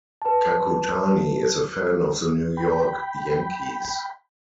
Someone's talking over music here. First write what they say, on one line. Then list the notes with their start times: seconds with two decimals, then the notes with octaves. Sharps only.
Kakutani is a fan of the New York Yankees.
0.22 B4 A5
2.57 G5 B5